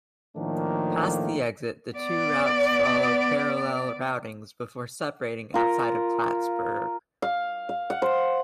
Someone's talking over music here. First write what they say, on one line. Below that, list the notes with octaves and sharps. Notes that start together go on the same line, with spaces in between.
Past the exit, the two routes follow parallel routings before separating outside of Plattsburgh.
A2 D#3 F3 A3 A#3 D4
B3 D5
F4 A#4
F5
F5
F#5
C5